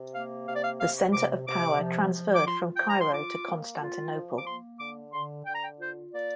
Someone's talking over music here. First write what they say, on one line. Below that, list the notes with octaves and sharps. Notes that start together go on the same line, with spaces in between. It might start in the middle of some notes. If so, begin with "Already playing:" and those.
The centre of power transferred from Cairo to Constantinople.
Already playing: C3
A#3 F5
C3 F5
D5
F5
C3 F5
C3 D6
C3 D6
F3
F3
D6
F4 C6
F3 G5
A#5
C6
F4 D6
A#3
F4
F3
D6
A#3 C6
D3 D6
D3 C6
D3 G5
A#5
G5
F4 C5
A#3 D5